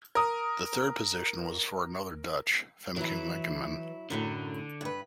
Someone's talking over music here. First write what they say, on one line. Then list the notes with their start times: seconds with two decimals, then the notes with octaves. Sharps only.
The third position was for another Dutch, Femke Lakenman.
0.15 A#4 D#6
2.96 E3 F#3 E4
4.10 F#2 A2 D3 F#3
4.81 G2 B4